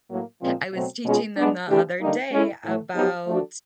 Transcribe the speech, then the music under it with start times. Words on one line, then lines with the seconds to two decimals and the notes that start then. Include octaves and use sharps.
I was teaching them the other day about
0.10 A2 F#3 A#3
0.42 A#2 F3 G#3 C4
0.74 B2 F#3 A3 C4
1.05 B2 G#3 C#4 F4 G#4
1.37 G#3 B3 D4
1.69 E3 A3 D4 G4
2.01 D3 G3 A#3 D#4
2.32 G#3 C#4 E4 A4
2.64 A2 E3 A3
2.95 F#3 B3 D#4 G4
3.27 F3 A3 D4 F#4 A4